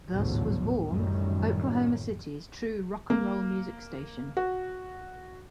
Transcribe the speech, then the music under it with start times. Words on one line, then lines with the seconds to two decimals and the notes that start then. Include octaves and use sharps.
Thus was born Oklahoma City's true "Rock N' Roll" music station.
0.11 A1 D2 G#2 B2 F3 F#3
0.86 F#2 A2 D#3 G3
3.10 A#3
4.37 F#4